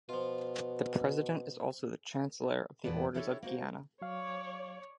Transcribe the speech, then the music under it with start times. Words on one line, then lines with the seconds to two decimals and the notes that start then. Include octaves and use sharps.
The President is also the Chancellor of the Orders of Guyana.
0.09 B2 F3 F4
2.84 E2 A#2 B3 B4 D5 A5
3.14 D4 E4 G4 A4 C5 C#5
3.43 A#3 F#4 C5
4.02 F#3 C#5 D5 F5